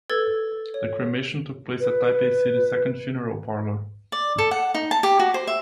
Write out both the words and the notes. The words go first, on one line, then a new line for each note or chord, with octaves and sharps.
The cremation took place at Taipei City Second Funeral Parlor.
A4 B4 E6 G#6 A6
C#5
B4
D5
A4
F#5
D#4
A5
G4
F#4
C5
E5